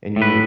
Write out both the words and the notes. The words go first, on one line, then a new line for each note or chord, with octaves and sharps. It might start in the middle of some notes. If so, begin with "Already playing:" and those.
and you
A2
B4